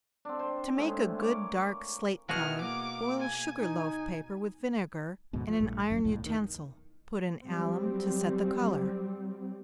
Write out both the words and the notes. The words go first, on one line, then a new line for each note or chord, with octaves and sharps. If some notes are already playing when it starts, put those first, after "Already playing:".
To make a good dark slate color, boil sugar-loaf paper with vinegar, in an iron utensil--put in alum to set the color.
C4 D4
C5
A2 G#3
A#3 C#5 D6
B2 E4 F#4 G#4 F6
A#3 D6
G#5
D#4 G#5
D2 G#2 B2
F3
A#1 G2 A3
G#1 F#2
C2 F2 A2
D#2 D#3
F#3 G3 C4